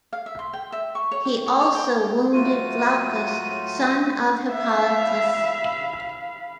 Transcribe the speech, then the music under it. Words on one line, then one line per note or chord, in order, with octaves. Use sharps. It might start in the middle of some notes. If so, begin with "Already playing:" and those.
He also wounded Glaucus, son of Hippolochus.
F5
E5
C6
G5
E5
C#6
C#5
G5
C#5
C#5
G5
A2 F#3 A3 F4 F#4 D#7
E5 F5 B5